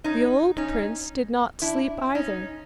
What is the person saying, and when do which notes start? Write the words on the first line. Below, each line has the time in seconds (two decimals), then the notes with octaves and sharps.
The old prince did not sleep either.
0.04 C#4 D#4
0.57 C#4 D#4
1.62 D4 E4
2.15 C#4 D#4